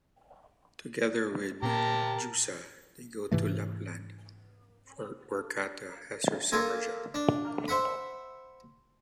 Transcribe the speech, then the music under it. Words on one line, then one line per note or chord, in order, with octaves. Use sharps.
Together with Jusa, they go to Lapland where Kata has her summer job.
A#2 G4 A#4 A5 A#5
G#2 C3 E3 A3
A#3 F4 A4 G#5
D4
C5 E5 F#5 B5